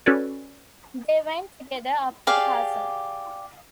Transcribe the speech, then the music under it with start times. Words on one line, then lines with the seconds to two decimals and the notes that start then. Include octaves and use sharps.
They went together up to the Castle.
0.06 C#4 F#4 A4 B4 C#5 D5
2.27 G4 G#4 D5 F5